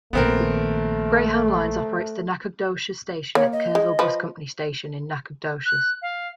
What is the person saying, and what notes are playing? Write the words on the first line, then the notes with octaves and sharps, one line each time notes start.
Greyhound Lines operates the Nacogdoches Station at the Kerrville Bus Company station in Nacogdoches.
A#1 D#3 A3 B3 C4 A#4
A#3 C#5
D#5
G#3
F3 B4
F#6
F5